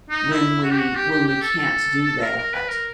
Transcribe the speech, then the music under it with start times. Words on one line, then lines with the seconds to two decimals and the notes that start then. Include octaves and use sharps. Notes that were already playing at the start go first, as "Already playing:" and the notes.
when we when we can't do that.
0.10 D#4
0.31 E4
0.63 F#4
0.71 G4
0.78 F#4
0.95 G4
1.10 G4
1.26 G4
1.42 A4
1.58 A4
2.22 A#4
2.38 A#4
2.53 B4
2.69 A#4